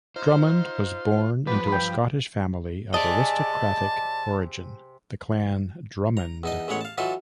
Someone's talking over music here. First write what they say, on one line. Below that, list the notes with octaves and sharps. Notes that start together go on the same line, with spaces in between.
Drummond was born into a Scottish family of aristocratic origin, the Clan Drummond.
D#4 F4 C5
F3 B3 D4 G4 B4
G2 G5 B5
C3 G#4 D5 D#5 A5
A#5
E2 D#4 D#5
A1 G#3 B3 C#5 F#5
F5 A5
E3 F#3 D#4 F4 A4 E5